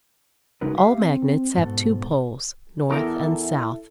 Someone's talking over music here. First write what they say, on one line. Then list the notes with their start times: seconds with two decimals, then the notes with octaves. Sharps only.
All magnets have two poles, north and south.
0.61 C#3 G#3 D#4 F#4 A#4 B4
0.76 G4 E5 F5
1.00 C4
1.57 G#2 B2 A4
2.90 E2 E4 A4 A#4